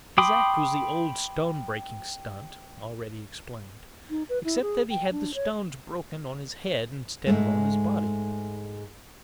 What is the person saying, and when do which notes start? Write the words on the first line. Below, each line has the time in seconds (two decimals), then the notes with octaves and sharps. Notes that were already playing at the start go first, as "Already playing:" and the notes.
His act was the old stone-breaking stunt, already explained, except that he had the stones broken on his head instead of on his body.
0.18 G5 B5 C6 D6 D#6
4.10 D#4
4.29 B4
4.44 E4
4.61 G#4
4.90 G5
5.12 D4
5.35 C#5
7.27 G#2 G#3 A3